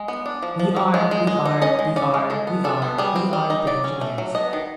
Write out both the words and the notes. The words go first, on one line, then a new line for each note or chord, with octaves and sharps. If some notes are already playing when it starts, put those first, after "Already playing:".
We are, we are, we are, we are, we are the Engineers!
Already playing: G#3
B3
D4
F3
F3
F3
G#3
G#3
G#3
D#4
C#4 D#5
G#3
C#4 D5
G#3
G#3 A4
B3
D4 A4
B3
G3 G#4
C4
G3
D#4
F#3 D5
C#4
A3
F#3
B3 D#5
D#3